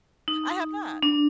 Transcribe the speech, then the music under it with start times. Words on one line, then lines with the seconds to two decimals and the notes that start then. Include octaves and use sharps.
I have not.
0.28 D#4
1.03 D4